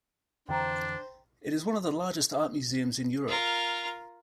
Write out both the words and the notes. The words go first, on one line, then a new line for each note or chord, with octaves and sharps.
It is one of the largest art museums in Europe.
F2 D3 E3 D4 C5 G5 A#5
F4 A#4